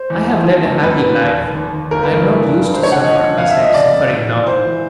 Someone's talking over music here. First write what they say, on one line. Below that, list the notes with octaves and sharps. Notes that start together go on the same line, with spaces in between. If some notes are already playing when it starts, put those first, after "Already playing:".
"I have led a happy life; I am not used to suffer as I am suffering now."
Already playing: C5
E2
F3
D#3
F#2
F#2 B4
D#3
D#2
F1
D#2
D#2
G1 A#4
B4
G2 A#4
E3
G2
D3 B4
C5
D3 C#5
F#5
F3 D#5
D3
F2 F5
E5
F3
D#5
C#3 D5
F2
G#2
E3
G#2 C5
E3